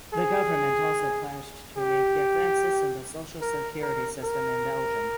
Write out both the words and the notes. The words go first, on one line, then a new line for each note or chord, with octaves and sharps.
The government also pledged to make advances in the social security system in Belgium.
G#4
G4
A#4
A#4
A#4